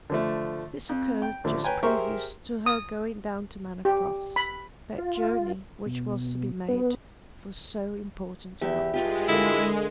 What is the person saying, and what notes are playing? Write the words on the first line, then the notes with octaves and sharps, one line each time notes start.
This occurred just previous to her going down to Manor Cross,--that journey which was to be made for so important an object.
D3 F3 A3
F2
G5
A1 D3 F3 A3
B4 C#5 G5 G#5 A#5
G4 G#4 A#4 C5 E5 C#6
D#6
G4
B5
F4
B2
B3
E2 E4 G4
G2 G#3 F4 G4
D3 A#3 E4